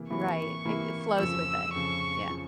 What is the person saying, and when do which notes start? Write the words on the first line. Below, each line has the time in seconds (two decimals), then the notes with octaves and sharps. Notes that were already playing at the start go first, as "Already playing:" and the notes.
Right. Like, flows with it, yeah.
Already playing: C3 E3 A#3
0.10 C3 E3 A#3 E4 C#6
0.65 C3 E3 A#3 E4
1.18 F2 C#3 F3 E6
1.73 F2 C#3 F3 C#6
2.30 C#3 F3